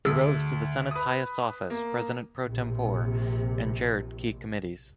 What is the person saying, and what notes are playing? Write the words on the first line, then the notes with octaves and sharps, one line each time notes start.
He rose to the Senate's highest office, President Pro Tempore, and chaired key committees.
D2 G#4 E6
B4 D#6
A#3
A#1 C3